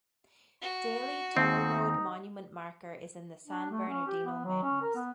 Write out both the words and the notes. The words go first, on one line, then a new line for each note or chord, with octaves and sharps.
Daley Toll Road Monument marker is in the San Bernardino Mountains.
F#4
D#2 C4 D#4
D4
A3
C#4
G4
B3
F#3
C#4
A#4
B3